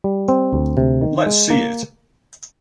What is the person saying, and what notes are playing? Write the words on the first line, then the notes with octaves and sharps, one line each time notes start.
Let's see it!
G3
C4
D2
C3
D#3
G#3
A#3